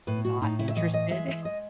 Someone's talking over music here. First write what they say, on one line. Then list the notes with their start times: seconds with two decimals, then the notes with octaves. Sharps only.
not interested.
0.07 A2 B4
0.25 F#4
0.42 A2 D#4
0.59 E4
0.70 E5
0.76 E3 D#5
0.94 D#5
1.11 G#3 E5
1.28 E5
1.45 D#5